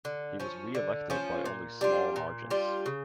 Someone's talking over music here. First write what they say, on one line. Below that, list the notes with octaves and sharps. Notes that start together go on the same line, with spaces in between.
He was re-elected by only small margins.
D3
F3 C#4
D3
F3 C#4
A#2
G3 D4 F4
A#2
G3 D4 F4
C#3